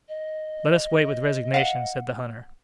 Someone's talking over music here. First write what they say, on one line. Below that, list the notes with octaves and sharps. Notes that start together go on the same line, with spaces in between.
"Let us wait with resignation," said the hunter.
D#5
F5 F#5